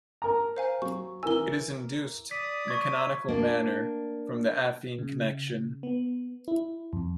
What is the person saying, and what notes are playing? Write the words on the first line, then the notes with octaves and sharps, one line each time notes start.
It is induced, in a canonical manner, from the affine connection.
A#4 A5 A#5
C5 F5 G#5
F#3 C#6
E3 A#4 G#5 E6 G7
D5 D#6 B6
C#6 G#6
A#3 D4
C#3
B3
E4
F2